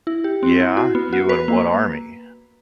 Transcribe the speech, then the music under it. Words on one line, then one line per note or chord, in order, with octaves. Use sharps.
Yeah, you and what army?
E4
G4
C4
E4
F#4
B3
F#4
B4
A#3